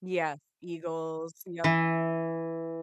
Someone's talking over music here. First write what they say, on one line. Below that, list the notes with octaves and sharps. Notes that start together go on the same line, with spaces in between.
Yeah, Eagles, yup.
E3